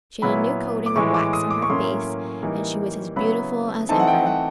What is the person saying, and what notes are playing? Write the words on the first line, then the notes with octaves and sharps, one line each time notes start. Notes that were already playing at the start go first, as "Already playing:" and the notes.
She had a new coating of wax on her face and she was as beautiful as ever.
A#2 F#3 B3 E4 B5
D6
A2 E3 G#3 C#6
D6
D#6
D6
C#6
A2 F#3 A#3 C#4 C6
E3 G3 A#3 D#4
C#3 F#3 B3 E4 B5
E3 A3 C4 D#4 A5
F#5
G5
F#5